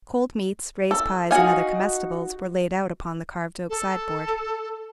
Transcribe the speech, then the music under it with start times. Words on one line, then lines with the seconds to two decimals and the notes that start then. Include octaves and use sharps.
Cold meats, raised pies, and other comestibles were laid out upon the carved-oak sideboard.
0.91 A4
1.31 D#4 F#4 F5 G#5
3.70 A4